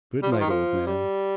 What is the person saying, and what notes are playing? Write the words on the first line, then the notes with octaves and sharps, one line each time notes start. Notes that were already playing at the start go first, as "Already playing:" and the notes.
"Good-night, old man."
G3
F3
D#3
F3
G3